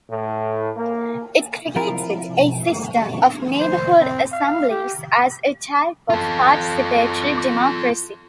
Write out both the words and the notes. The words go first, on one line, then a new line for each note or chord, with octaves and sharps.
It created a system of neighbourhood assemblies as a type of participatory democracy.
A2
A#3
F3 C4 E4 F4 A#4
C5
C4
F5
G4
F4 A4